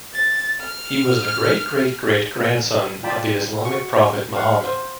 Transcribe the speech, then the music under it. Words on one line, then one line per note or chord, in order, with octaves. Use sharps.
He was the great-great-great grandson of the Islamic Prophet Mohammed.
A6
F6
F4 D5 G5 A5 B5
F#4 C#6
F5 F#5
C5